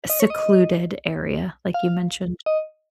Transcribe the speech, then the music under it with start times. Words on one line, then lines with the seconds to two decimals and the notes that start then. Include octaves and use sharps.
secluded area like you mentioned.
0.10 D#5
0.20 C#5
0.30 D#5
1.74 F5
2.46 D#5